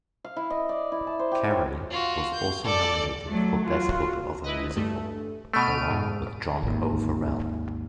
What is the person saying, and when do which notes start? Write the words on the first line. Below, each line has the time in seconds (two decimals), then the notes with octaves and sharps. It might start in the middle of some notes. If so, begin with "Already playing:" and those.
Karey was also nominated for Best Book of a Musical along with John O'Farrell.
0.24 F5
0.36 E4
0.50 D#5
0.69 D5
0.92 E4
1.07 A5
1.19 C5
1.32 G4
1.51 C#5
1.91 F4 F#4
2.34 G6
2.64 A4 D5
3.27 F#3 A3
3.66 F4 F#4
4.44 E4 B4 D#5
4.75 G2 A3
5.53 B2 A3 F6 D7 D#7
5.89 G#2
6.63 G#1 D#2